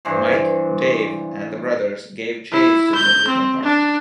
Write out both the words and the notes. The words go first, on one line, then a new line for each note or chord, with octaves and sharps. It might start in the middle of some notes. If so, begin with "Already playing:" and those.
Mike, Dave, and the brothers give chase to the amusement park.
G2 E3 C5
E4
G6
C4
D4